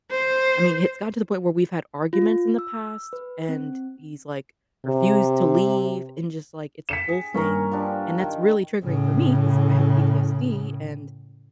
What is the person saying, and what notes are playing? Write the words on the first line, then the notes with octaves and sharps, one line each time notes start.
I mean, it's gotten to the point where we've had arguments in the past, and he's, like, refused to leave and just, like, it's a whole thing. And that's really triggering for me 'cause I have PTSD and,
C5
F4
E6
B4
C4
C3
B6 C#7 E7
G#4
G2 A#3 C#4 A#4 C#6
F3 G3 D4
D#3
A2 C#3